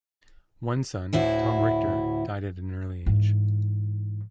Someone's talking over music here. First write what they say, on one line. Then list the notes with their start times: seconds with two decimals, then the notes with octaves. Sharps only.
One son, Tom Richter, died at an early age.
1.13 D2 A2 E4 F#4
3.06 G#2 E3